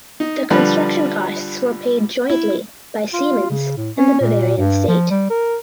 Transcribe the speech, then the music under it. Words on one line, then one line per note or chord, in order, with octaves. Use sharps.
The construction costs were paid jointly by Siemens and the Bavarian state.
D#4
D3 F3 G3 B4
E4
F4
C#3
A2
C#4
A#2
G2
F3
G3
A#4